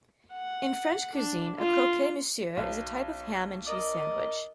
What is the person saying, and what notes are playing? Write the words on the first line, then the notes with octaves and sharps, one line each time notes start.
In French cuisine, a croque-monsieur is a type of ham and cheese sandwich.
F#5
D4
F4
B1
A#4 D5 D#5